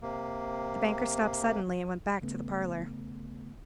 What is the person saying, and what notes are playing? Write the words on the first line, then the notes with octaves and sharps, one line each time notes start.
The banker stopped suddenly, and went back to the parlour.
C3 A#3
D#2 C#3 A3 B3